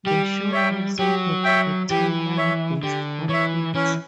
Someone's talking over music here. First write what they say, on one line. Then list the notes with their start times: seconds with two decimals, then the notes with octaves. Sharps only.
The show also had a toyline based on it.
0.06 G3 G4
0.52 C#5 E5 G5
0.99 F#3 G4
1.44 C#5 E5 G5
1.90 E3 G4
2.37 C#5 E5
2.83 D3 G4
3.29 E3 C#5 E5
3.75 E3 C#4